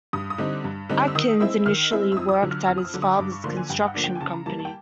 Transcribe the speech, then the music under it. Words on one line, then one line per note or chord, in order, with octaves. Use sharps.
Atkins initially worked at his father's construction company.
G2 D#6
D#6
D3 G3 C4 D#4
G2
D3 G3 C4 D#4
E6
D#3 D#6
G#3 C4 E4 E6
D#3 F6
G#3 C4 E4 E6
E6
F2 D#6
D#6
E6
D3 F#3
F6
F2 F6
D#6
E6
D3 F#3
D#6
G2 D6
C#6
D3 F3 A#3 D4 C6
G#5
G2 G5
F#5
D3 F3 A#3 D4
G5
G#5
C#3 A5
A#5
E3 G3 A#3 A5
A5
G5